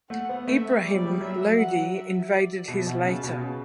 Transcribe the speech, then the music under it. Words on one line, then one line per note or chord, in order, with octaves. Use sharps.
Ibrahim Lodhi invaded his later.
A3 F#5
B3
A3 E5
G3 D5
F#3
G3
F#3 E5
F#5
E5
D5
B2 E5
B2
C#3 A5
B2
C#3